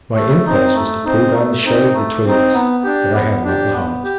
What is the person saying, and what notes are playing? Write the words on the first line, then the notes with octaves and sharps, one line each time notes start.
My impulse was to pull down the shade between us, but I had not the heart.
A3
C4 D#4
A3
C4 D#4
A3
C4 D#4
A3
C4 D#4
B3
D4 G4
B3
D4 G4
B3
G4